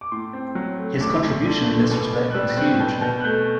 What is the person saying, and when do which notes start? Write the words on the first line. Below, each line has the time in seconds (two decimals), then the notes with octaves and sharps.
His contribution in this respect was huge.
0.01 D6
0.12 A2 C6
0.33 C4
0.55 F#3
0.78 A3
1.00 D2 D6
1.23 D2
1.46 D3
1.67 A3
1.90 B2
2.13 B2
2.30 F#6
2.35 G3 E6
2.57 C4 F#6
2.80 B2 G6
3.01 B2 G6
3.20 F#6
3.24 A3 G6